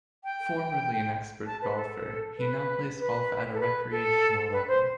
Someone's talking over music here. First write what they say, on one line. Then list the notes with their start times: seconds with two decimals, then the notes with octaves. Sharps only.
Formerly an expert golfer, he now plays golf at a recreational level.
0.24 G5
1.46 A5
1.62 B4
1.76 A4
2.38 B4
3.00 B4
3.54 A4
3.60 B4
3.91 A4
4.52 B4
4.68 C5